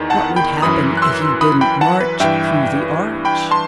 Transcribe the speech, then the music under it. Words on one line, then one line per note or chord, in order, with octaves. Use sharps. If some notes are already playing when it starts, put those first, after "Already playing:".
"What would happen if you didn't march through the Arch?"
Already playing: E2 D#3
F#5 A5
G5 B5
F#2 E3 B5 D#6
F#6
C6 E6
B5 D#6
G5 B5
F#5 A5
B4
G2 E3 E5 G5
G5 B5
A5 C6